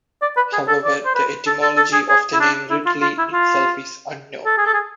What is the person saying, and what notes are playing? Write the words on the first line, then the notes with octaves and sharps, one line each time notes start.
However, the etymology of the name "ridley" itself is unknown.
D5
B4
G#4
A4
D5
C5
B4
A4
A4
A4
G#4
G#4
E4
D4
E4
F4
F4
E4
F4
A4
G#4
A4
G#4